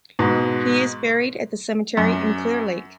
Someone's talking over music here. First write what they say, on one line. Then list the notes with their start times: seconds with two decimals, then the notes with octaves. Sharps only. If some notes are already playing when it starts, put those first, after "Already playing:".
He is buried at the cemetery in Clear Lake.
0.19 G#2 B2
1.97 F#2